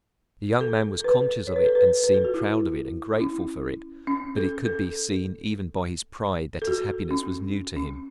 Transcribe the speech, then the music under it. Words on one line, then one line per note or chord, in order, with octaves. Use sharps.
The young man was conscious of it and seemed proud of it and grateful for it; but it could be seen even by his pride that his happiness was new to him.
A4
A4
B4
C#5
B4
A4
B4
B4
A4
F#4
E4
E4
C#4
C#4
A4
A4
A4
F#4
C#4
C#4